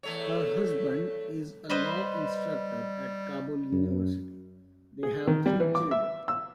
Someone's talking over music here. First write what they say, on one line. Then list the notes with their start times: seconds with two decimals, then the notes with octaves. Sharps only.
Her husband is a law instructor at Kabul University; they have three children.
0.03 E2 A3 C#5
1.70 G3 B4 C5 D#5
3.72 F#2
5.03 G#4
5.27 D#3
5.46 G3
5.60 E3
5.75 D6
5.91 E5
6.28 E6